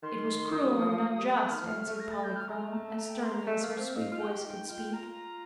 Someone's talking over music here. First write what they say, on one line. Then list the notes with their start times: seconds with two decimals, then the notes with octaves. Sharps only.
"It was cruel and unjust," answered Polychrome, as sternly as her sweet voice could speak.
0.03 D#3 C6
0.52 D#3 D#6
0.65 G3
0.77 F3
0.89 F3
1.01 F3
1.18 G3
1.50 D#3 F6
1.63 F3
1.74 A3
1.87 A3
2.00 A#6
2.11 A6
2.24 G6
2.36 F6
2.48 A3 A#5
2.73 A5
2.98 A#5
3.09 G5
3.22 C6
3.34 A#5
3.47 A3
3.63 A#3
3.79 C4
3.95 D#4 F5
4.11 F4
4.20 G5
4.28 G4
4.44 D#4 G5
4.69 F4 G5
4.93 F4 A#5